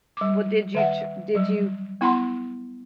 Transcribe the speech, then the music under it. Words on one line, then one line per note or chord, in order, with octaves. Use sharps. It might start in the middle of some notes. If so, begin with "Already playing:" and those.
Well, did you ch did you
G3 D6
D#3 E5 F#5
F#3 G3
B3 E4 F#5 B5 C6